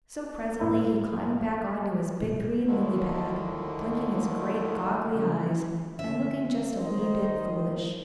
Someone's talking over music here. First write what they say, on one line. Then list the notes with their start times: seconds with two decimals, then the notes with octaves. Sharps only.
So presently he climbed back on to his big green lily-pad, blinking his great, goggly eyes and looking just a wee bit foolish.
0.59 A2 B3 E4 C5 A#5
2.66 D#2 A2 D3 D#3
5.14 C#3 F3
5.40 E3
5.99 D3 C#4 E5
6.74 D#3 C5 D#5